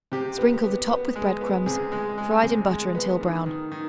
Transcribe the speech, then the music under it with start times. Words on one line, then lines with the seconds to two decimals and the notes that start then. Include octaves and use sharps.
Sprinkle the top with bread-crumbs fried in butter until brown.
0.12 C3 G4
0.38 B3
0.64 B3
0.89 B3
1.16 G#3
1.41 B3
1.66 C3 G#4
1.92 G#3
2.18 G#3
2.43 C3
2.69 G#3
2.95 B3
3.21 D#3
3.46 D#3
3.72 D#3